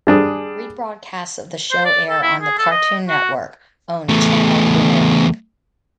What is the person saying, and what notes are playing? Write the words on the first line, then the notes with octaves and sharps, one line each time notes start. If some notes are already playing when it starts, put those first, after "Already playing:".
Rebroadcasts of the show air on the Cartoon Network-owned channel Boomerang.
G3 D4 G#4
C5
D5
A4
E4
G#4
A4
D#5
F#4
E2 A3